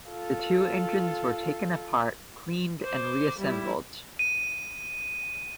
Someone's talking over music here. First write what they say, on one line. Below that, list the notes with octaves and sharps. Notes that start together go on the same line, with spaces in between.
The two engines were taken apart, cleaned and reassembled.
F4 A4
C5 D6
G3 E4
D#7